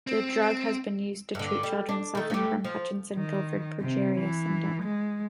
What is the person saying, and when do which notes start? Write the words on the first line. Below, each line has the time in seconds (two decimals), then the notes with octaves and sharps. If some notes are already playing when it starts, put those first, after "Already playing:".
The drug has been used to treat children suffering from Hutchinson-Gilford progeria syndrome.
0.07 C4
1.35 G2 D3
1.63 G3
1.89 D4
2.15 D#3 A3
2.30 A3 G4
2.64 F3
3.14 D#3
3.80 C3
4.19 E3
4.83 G#3